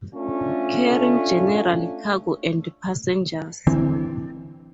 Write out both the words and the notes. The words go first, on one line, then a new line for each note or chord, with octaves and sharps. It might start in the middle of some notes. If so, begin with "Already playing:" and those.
Carrying general cargo and passengers.
A3 C#4 D4 F4
D3 E3 C4